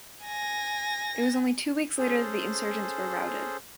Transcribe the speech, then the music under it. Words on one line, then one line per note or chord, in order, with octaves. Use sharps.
It was only two weeks later that the insurgents were routed.
G#5 A#6
C#4 G#4 A4 C5